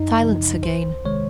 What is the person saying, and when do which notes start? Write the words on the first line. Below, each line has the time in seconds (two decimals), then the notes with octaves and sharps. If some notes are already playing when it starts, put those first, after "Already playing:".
Silence again?
Already playing: F#2 D#4
0.20 C#3 F3
0.63 C2 C5
1.05 C3 D#3 G#3 C#5